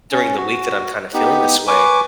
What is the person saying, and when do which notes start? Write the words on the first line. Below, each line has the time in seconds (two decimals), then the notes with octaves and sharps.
during the week that I'm kinda feeling this way.
0.12 C#4
0.37 F#4
1.13 B3 D#4 G4
1.67 B4 G#5 C#6 D6